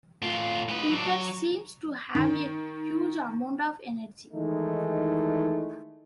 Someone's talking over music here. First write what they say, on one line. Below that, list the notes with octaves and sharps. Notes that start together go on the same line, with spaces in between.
Peter seems to have a huge amount of energy.
A2 F4
G#3 B4
F#3 D4
F#3 C#5
D#3
D#3 E3 G#3 A3 D#4